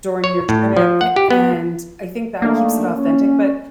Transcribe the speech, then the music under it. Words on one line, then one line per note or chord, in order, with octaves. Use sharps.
during your trip. And I think that keeps it authentic, but,
C#5
A2
F3
F#5
G4
B3
D#3 A3 A#3 D4
C#4